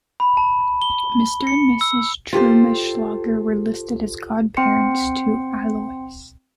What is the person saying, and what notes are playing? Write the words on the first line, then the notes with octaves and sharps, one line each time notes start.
Mr and Mrs Trummelschlager were listed as godparents to Alois.
B5
A5
G7
C#7
E6
F4 G4 A4 C5
C4 G5 C6 C#7